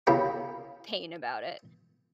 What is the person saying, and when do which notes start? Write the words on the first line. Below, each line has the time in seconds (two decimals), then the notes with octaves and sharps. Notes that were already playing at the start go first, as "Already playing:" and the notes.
pain about it.
0.07 C#3 A#3 C#4 E4 G4 A#5